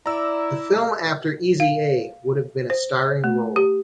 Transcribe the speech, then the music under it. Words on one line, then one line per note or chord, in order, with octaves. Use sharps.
The film after "Easy A" would have been a starring role.
E4 D5 A#5 E6
F5
C5
A3
G4